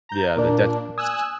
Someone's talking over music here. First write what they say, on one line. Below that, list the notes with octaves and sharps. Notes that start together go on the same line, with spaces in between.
Yeah, the detriments
A#5 G6
A#2 D4 A#4 D5
G#5 D#6 E6 F#6